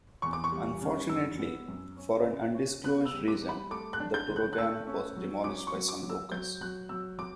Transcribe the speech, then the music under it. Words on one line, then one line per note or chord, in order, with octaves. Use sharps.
Unfortunately, for an undisclosed reason, the torogan was demolished by some locals.
E2 C#6
D6
C#6
G3
C#3
F#2 E6
B3
F#2
C#4
C#3
C#4
B3 F#6
E6
G3
D6
G3
B5
A3 D6
F#6
D4
G6
D3
F#6
F#6
A3 E6
C#4
F#3
C#4 D6
C#6
F#3
D6
F#3
E6
F#3 G6
F#3 F#6
F#3 E6
F#3 D6